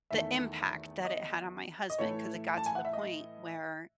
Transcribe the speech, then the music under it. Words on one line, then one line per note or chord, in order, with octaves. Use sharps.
the impact that it had on my husband 'cause it got to the point where
E2 D#3 A3 E5
D#5
D#5
A2 E3 A3 E4 C#5
A5
G#5
F#5
E5
D#5